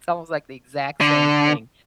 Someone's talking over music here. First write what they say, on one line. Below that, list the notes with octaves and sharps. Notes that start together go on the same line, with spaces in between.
it's almost like the exact same thing,
D3